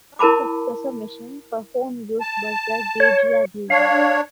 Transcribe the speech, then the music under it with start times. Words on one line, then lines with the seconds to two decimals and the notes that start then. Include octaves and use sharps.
The first espresso machine for home use was the Gaggia Gilda.
0.19 E4 A#4 A5 B5 D6
2.20 A5
3.00 C#5
3.70 D4 C#5 F5